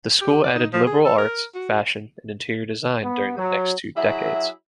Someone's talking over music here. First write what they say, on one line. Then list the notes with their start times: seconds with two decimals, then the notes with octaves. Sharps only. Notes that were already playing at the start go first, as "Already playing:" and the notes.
The school added liberal arts, fashion, and interior design during the next two decades.
0.21 G4
0.44 D5
0.56 D#4
0.73 F3
0.86 G#4
1.05 A4
1.18 A#4
1.54 F#4
3.02 B3
3.36 F#3
3.97 F#3 E4 G#4 E5